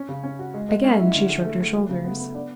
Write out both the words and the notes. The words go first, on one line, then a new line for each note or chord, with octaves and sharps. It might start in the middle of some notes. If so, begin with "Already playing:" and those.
Again she shrugged her shoulders.
Already playing: C#4
C#3
C#4
F#4
G#3
G#3
C#4
E4
D3
G#4
A3
A3
F#3
C#3
B3
B3
D4